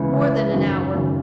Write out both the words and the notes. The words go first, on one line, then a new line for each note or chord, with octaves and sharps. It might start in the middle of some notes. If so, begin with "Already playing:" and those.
More than an hour.
Already playing: C#2 C#3 E3
C#2 C#3 E3
G#1 F#2 C#3
G#1 F#2 C#3